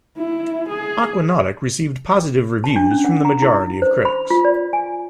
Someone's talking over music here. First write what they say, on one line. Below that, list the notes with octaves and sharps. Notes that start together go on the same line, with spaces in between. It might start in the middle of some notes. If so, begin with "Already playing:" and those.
"Aquanautic" received positive reviews from the majority of critics.
E4
G#4
A5
D4
C#4
F#5
A#5
E4
C5
B5
F4
D5
G#5